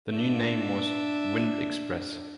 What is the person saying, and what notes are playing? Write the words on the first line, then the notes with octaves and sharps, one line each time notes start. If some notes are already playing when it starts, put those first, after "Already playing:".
The new name was "Wind Express".
D4 E5